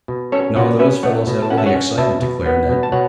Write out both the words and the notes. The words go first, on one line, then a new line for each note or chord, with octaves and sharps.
"No, those fellows had all the excitement," declared Ned.
B2
C#4 A4 C#5
B2 C#5 F#5
C#4 B4 E5
A3 C#5 F#5
B2
A5
C#4 F#5
E5 A5
C#5 F#5
C#4
B2 E5 A5
B2
B3
B2
A5
B2 C#5 F#5